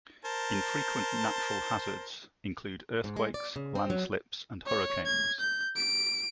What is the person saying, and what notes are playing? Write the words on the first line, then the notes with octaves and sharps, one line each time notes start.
Infrequent natural hazards include earthquakes, landslips and hurricanes.
A#4 C5 A5
G#2
G#3
D5
C#3
C4
F#3
C#5
G#6
G6
D7